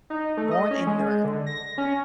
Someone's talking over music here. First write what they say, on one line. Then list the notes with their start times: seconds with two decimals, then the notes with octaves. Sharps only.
Born in Nr.
0.10 D#4
0.37 A3
0.51 D#5
0.71 C#4
0.87 G#3
1.24 D3
1.46 A#6
1.78 C#4